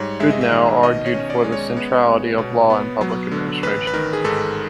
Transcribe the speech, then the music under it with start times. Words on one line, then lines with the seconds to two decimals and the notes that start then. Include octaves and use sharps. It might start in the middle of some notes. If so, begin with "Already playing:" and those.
Goodnow argued for the centrality of law in public administration.
Already playing: G#2 G3 C#5
0.20 G#3 E5
0.30 D#5
0.41 E5
0.51 D#3
0.83 B2 D#5
1.06 C#5
1.14 C#4
1.30 D5
1.43 G#3 D5
1.52 C#5
1.77 B3
2.07 G#3
2.38 B2
2.70 B3
3.01 F#3
3.31 D3
3.63 A1 B4
3.87 B4
3.93 D#3 A#4
4.13 G#4
4.25 G#2 A4